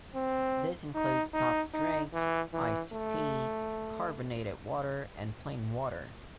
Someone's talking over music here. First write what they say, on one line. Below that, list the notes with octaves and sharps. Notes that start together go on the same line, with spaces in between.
This includes soft drinks, iced tea, carbonated water, and plain water.
C4
D#4
D#4
D#4
E3
E3
A3